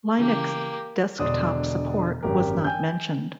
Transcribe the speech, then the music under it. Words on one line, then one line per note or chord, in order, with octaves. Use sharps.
Linux desktop support was not mentioned.
C#3 E3 A#3 G4
E1 D3 D4 C6 D#6
G#1 F#2 G4 A#4
G5 G#5 G6